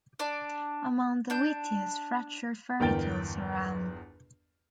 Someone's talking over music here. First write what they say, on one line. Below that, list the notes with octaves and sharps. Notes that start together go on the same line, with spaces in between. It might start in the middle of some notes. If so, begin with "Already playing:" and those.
Among the wittiest fractured fairytales around.
D4 D5
D4 G6
G1 E2 A#4 G5 A6